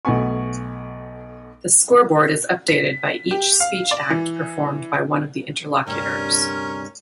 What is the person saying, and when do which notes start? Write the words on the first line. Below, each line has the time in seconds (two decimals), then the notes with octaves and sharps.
The scoreboard is updated by each speech act performed by one of the interlocutors.
0.05 B1 A3 B3 G#5 C#6
2.68 B6
3.31 G4
3.60 F5
3.91 D5
4.10 E3
5.86 D2 G2 C3 C#4 A#4